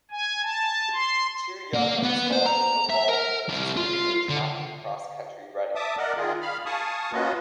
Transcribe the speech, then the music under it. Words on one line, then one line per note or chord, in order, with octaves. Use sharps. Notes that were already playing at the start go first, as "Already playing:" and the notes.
Too young and small for football, he participated in track and cross country running.
G#5
A5
C6
A#3
B3
C5
A#5
E5
A#4
C2
F4
D3
E5 A5 D6 D#6
A#4 D5 D#5 F#5
D#3 F4 G#4
F5 B5 F6
F5 G#5 A5 C#6 D#6
A#3 C#4 F4 F#4 B4 D#5